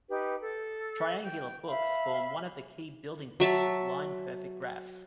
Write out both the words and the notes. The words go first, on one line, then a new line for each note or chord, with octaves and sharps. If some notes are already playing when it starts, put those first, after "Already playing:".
Triangular books form one of the key building blocks of line perfect graphs.
D#4 G4 B4
A4
G5
E5 F5 B5
F#3 E5 A5